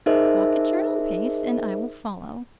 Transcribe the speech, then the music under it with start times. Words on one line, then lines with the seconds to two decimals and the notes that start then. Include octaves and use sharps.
Walk at your own pace, and I will follow.
0.06 D#4 G#4 A#4 C5 D#5 E5